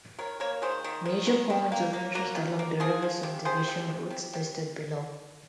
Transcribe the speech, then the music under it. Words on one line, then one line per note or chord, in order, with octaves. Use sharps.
Major points of interest along the River Subdivision route listed below.
D#3 A#4 C#5
A#3 A#4 C#5
D#3 G#4 C5
D#3
D#3
D#3
D#3
A#3
A#3
A#3 F#4 A#4
D#3
A#3
F3 F4 G#4
F3
C3
C3 G#4 C5
C3
C3
C3
C3